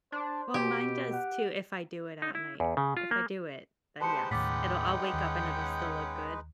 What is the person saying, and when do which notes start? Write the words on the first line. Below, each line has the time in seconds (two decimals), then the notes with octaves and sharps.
Well, mine does too if I do it at night. If I do it, then yes. It'll I'll wake up and it'll still look good,
0.12 D4 C5
0.54 B2 G4
1.12 F#5
2.22 D#4
2.35 E4
2.60 E2
2.77 C#3
2.97 F4
3.11 A#3
4.01 G#3 D#4 G4 B4 C5 A5 C6 C#7
4.31 D#2 A2 C#4 F#5 G5 D6 A6 B6
5.14 D#2